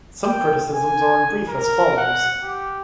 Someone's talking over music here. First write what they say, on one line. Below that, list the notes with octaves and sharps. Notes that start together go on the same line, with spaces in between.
Some criticisms are in brief as follows.
G5
G#5
A#4
F#5
G4